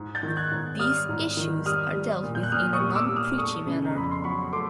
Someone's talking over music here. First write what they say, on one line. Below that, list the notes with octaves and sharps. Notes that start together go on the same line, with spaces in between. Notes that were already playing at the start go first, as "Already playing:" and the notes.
These issues are dealt with in a non-preachy manner.
Already playing: G#2
G6 A6
D#3
F#6 G#6
G#2
G3 D#6 F6
G#2
D#3
G3 D#6 F6
G3
A#2
G6
F#6
A#2 D#6 F6
C#6 D#6
G3
D6 E6
G3
D#6 F6
A3 C#6 D#6
C#3
A#5
F2 B5
C6
F#3 B5 C#6
A3 C6 D6